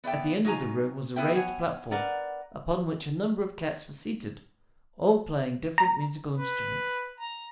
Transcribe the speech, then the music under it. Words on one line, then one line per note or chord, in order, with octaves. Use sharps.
At the end of the room was a raised platform, upon which a number of cats were seated, all playing different musical instruments.
B3 D5 E5 G5
F#3 D#4 F4 G#5 A#5
B3 E4 G#4 B4 E5 G5
C#5 F#5 G#5
A#4 B4 D5 F#5 A#5
A#5
B4
A#5